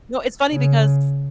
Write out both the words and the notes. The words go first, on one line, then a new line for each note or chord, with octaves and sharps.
No, it's funny because
C#3